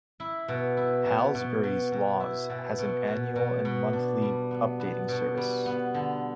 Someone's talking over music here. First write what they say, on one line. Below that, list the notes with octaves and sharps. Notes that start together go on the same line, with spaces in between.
"Halsbury's Laws" has an annual and monthly updating service.
E4
B2
E4
B2
B2
B2
B2
E4
B2
B2
B2
B2
B2
D4
G3
B3
B3
B2
G3
B3
D3